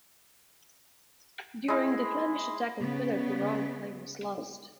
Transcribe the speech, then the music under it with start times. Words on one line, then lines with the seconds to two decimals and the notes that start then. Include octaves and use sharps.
During the Flemish attack on Philip, the oriflamme was lost.
1.68 G#3 E4
2.79 C#3 B3